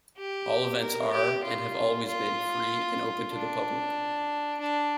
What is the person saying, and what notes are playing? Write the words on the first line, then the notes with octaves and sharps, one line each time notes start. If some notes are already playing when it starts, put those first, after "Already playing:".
All events are, and have always been, free and open to the public.
G4
A#4
G4
F4
F4
D4
D4